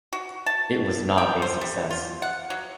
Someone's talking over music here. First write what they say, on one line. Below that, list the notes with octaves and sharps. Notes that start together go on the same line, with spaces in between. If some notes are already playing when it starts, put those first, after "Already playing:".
It was not a success.
F#4
A5
G5
C5
G3
F4
F#5
F#3